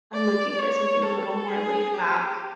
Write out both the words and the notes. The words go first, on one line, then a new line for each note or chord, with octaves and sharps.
I'm looking for something a little more laid back.
D5
C#5
A4
G#4
G4